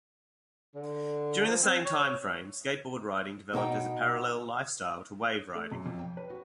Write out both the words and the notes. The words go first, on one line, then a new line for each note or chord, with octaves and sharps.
During the same time-frame skateboard riding developed as a parallel lifestyle to wave riding.
D3
F3
C4
C#5
B2 D#4 C5 G5
A3
F#2
F2
G5
B4
F#4